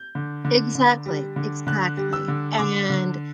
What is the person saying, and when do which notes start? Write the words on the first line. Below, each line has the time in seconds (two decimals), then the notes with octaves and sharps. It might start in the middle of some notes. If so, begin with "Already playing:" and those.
Exactly, exactly. And
Already playing: G6
0.15 D3
0.45 D3
0.75 D3
1.06 G3
1.36 D3
1.67 D3 F#6
1.97 G3
2.13 E6
2.28 D3
2.58 D3 D6
2.90 D3